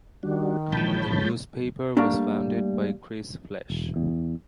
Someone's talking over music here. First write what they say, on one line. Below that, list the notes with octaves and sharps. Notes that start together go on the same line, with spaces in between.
The newspaper was founded by Chris Flash.
D#3 G3 D4 F#4
A#1 E3 F3 G#3 C#5 A5 B5 G6
G3 A3 A#3 D4
E1
E2